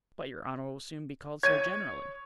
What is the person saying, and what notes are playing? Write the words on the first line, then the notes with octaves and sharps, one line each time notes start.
"But your honor will soon be called so generally."
C#5 G#6 D#7